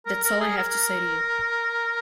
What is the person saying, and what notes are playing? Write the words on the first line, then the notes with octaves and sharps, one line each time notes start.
That's all I have to say to you!
A#4
A#4
G#4
A#4